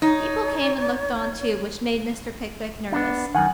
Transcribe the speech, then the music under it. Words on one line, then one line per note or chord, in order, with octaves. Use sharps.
People came and looked on, too, which made Mr. Pickwick nervous.
D#4 C#5
B3 D4 D#4
F#2 D#3 F#5 G#5 F#6